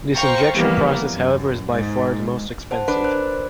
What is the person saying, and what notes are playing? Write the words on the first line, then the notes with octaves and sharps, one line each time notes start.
This injection process however is by far the most expensive.
C5 F5 G5 A#5 C#6
E3 F3 G3 A#3 B3
F#2
G#2
C5 F#5 A5
D4 B4
A#4 C5 F#6